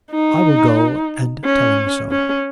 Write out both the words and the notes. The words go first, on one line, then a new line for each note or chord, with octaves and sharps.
I will go and tell him so.'
D#4
C#4
C#4